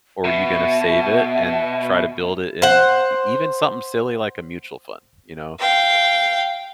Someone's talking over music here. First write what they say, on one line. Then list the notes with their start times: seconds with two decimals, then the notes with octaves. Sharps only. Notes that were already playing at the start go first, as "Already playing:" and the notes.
or you're gonna save it and try to build it in even something silly, like, a mutual fund, you know.
0.25 B2 E5
2.62 C5 F#5
5.60 F5 G5